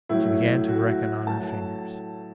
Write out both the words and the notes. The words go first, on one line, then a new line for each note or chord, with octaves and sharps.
She began to reckon on her fingers.
A2 F#3 E4
F#4
A2 F#3 A5